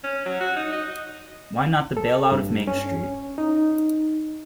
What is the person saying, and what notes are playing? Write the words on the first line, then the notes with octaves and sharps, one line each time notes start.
Why not the bailout of Main Street?
C#4
F#3
F#4
D#4
D#5
A4
G2
C#4
D#4